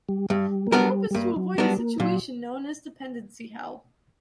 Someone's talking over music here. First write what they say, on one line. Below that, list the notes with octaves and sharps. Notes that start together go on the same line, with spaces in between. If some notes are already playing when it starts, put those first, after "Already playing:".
The hope is to avoid a situation known as dependency hell.
G3
G2 G3
A#3
F#3 G3 B3 D4 A#4
G3
G2 A#3
F#3
F#3 G3 B3 D4 A#4
A#3
A#2 F#3